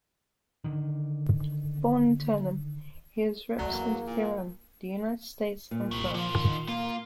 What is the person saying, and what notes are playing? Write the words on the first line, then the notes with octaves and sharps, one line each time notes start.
Born in Tehran, he has represented Iran, the United States, and France.
D3 D#3
F#3 A3 D5
E2 A#3
A#2
A#2
C2 D#3 A3
D3 F3 F4
D#3
A#3 F4 F5